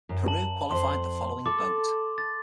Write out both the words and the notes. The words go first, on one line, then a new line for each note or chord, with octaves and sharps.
Peru qualified the following boat.
F#2
A5 F#7
F2 C5 C6
A4 D6
A6